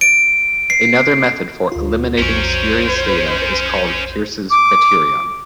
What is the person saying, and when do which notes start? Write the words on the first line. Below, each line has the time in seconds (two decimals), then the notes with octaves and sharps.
Another method for eliminating spurious data is called "Peirce's criterion".
0.01 D7
0.70 C7
1.72 D2 F4
2.18 B1 F2 C#4 A#4 C5 C#6
4.51 D6